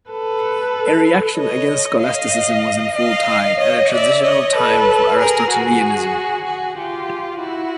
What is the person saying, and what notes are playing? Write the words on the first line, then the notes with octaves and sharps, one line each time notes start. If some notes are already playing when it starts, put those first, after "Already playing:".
A reaction against scholasticism was in full tide, at a transitional time for Aristotelianism.
A4 B4
C#5 D#5
D#5 F5
D#5 F5
C#5 D#5
D5 E5
C#5 D#5
A4 B4
G#4 A#4
F#4 G#4
F#4 G#4
F4 G4
E4 F#4